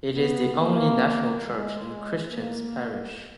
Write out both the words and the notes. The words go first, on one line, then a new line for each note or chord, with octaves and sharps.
It is the only national church in Christians Parish.
B3
A#3
G#3
A#3